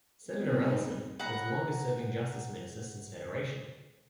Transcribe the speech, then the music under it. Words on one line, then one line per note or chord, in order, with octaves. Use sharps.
Senator Ellison was the longest serving Justice Minister since Federation.
G3 B3 C4 D#4
F#5 A#5